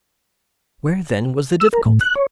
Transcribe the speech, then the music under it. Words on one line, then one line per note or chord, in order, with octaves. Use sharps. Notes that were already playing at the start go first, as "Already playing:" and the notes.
Where then was the difficulty?
E6
A#4
A2
F#6
C#5